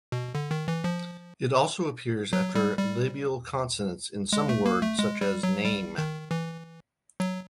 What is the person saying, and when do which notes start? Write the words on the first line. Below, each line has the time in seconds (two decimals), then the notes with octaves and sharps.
It also appears after labial consonants in some words, such as "name".
0.12 B2
0.35 D3
0.51 D#3
0.68 E3
0.84 F3
2.33 F#3
2.55 G3
2.77 G3
4.33 G#3
4.49 A3
4.66 A#3
4.82 A3
4.99 G#3
5.21 G3
5.43 F#3
5.64 G3
5.98 D#3
6.31 E3
7.20 F#3